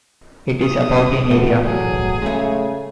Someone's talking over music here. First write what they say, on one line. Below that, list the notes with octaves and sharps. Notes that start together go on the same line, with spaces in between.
It is about in area.
D#6
A2 E3 A3 B3
F#3 G#4
C#3 G#3 A3